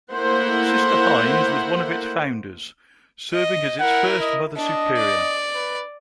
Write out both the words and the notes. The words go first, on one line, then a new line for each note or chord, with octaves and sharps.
Sister Hynes was one of its founders, serving as its first mother superior.
A3 A#3 E4 C5 F#5
D#5
E4 A#4 F#5
D#5
D4 D#5
D5
B4